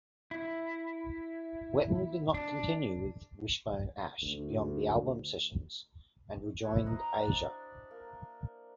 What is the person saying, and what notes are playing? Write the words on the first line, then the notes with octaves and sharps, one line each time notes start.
Wetton did not continue with Wishbone Ash beyond the album sessions and rejoined Asia.
E4
D4
D2
B3 E4 F#4 C5
B4 C5 D#5 A#5
D4
A#3